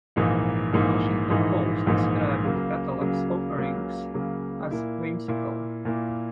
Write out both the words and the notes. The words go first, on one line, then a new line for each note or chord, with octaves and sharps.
The "Washington Post" described the catalog's offerings as "whimsical".
A#1 G#2 E3 A#3 D#4
A#1 G#2 E3 A#3 D#4
A#1 G#2 E3 A#3 D#4
A#1 G#2 E3 A#3 D#4
C#2 C#3 F#3 A#3
C#2 C#3 F#3 A#3
C#2 C#3 F#3 A#3
C#2 C#3 F#3 A#3
A#2 A#3 E4
A#2 A#3 E4
A#2 A#3 E4